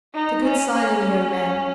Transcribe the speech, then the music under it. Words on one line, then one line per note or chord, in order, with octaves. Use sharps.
It's a good sign in a young man.
D#4
C#4
C#4